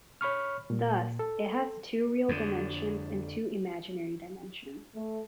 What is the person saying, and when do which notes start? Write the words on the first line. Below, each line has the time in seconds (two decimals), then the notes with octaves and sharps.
Thus it has two real dimensions and two imaginary dimensions.
0.21 C#5 B5 C#6 F6
0.70 A#2
1.19 A4
2.29 F2 D3
4.95 A3